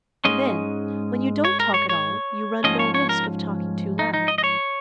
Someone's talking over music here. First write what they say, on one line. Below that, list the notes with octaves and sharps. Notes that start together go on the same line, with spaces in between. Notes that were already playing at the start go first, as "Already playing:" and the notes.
And then, when you don't talk at all, you run no risk of talking too loud.
G#2 G#3 C#4 D#5
C#5
A#4
C#5
C#5
G#2 F3 C#4 D#5
C#5
C#5
A#4
D#4
D#4
D#5
D#5
C#5